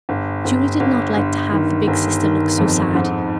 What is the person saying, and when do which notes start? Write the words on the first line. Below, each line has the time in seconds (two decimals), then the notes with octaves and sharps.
Julie did not like to have the big sister look so sad.
0.09 G1
0.45 G1
0.80 G1
1.17 G1
1.52 D#3
1.87 G1
2.23 D#3
2.58 F2
2.95 G#2